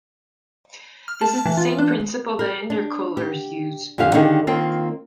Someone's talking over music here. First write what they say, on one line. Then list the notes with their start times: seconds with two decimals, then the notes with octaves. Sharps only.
This is the same principle that intercoolers use.
1.08 F6
1.21 A5
1.46 E3
1.57 F4
1.79 D4
2.39 A#4
2.70 D4
3.17 G4
3.98 F2 D3 E3 G4 F5
4.14 D3 D#3 D#4 G4 G#4 F5
4.47 D#3 A#3 C4 F4